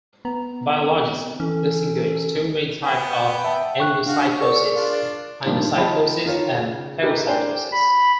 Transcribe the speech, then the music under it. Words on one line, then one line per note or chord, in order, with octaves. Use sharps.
Biologists distinguish two main types of endocytosis: pinocytosis and phagocytosis.
B3 A#5
C4
E3 C#4 A4
B3 G5
E5 A5
G5 C#6 F#6
D4 F#4 F5
G#4 A#4 D5 C#6
D4 F4
G2 A#2 D#3 F3 G3 C4
F3 D#4 G5 B5
D#3 F4 A#4 C#5
C#3
D#4 E4 G4 G#4 A#4 B4
D4 A#4 C5 D5 G5 G#5
B5